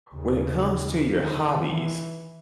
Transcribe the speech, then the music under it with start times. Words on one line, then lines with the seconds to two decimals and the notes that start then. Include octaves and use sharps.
when it comes to your hobbies,
0.13 D#2 C#3
1.18 D#3
1.70 E3